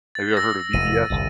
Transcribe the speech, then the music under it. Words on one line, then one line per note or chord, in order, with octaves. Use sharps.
Have you ever heard of BBS?
A6
E6 A#6
F1 E2 D#7
G1 C2 F2